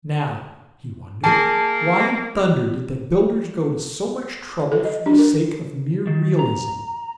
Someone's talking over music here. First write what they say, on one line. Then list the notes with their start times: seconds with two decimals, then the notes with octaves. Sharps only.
"Now," he wondered, "why in thunder did the builders go to so much trouble for the sake of mere realism?"
1.24 A#3 G#4 G#5 A5
4.72 A4
4.85 D#5
5.06 D4
5.19 A#4
6.07 D#3
6.39 A#5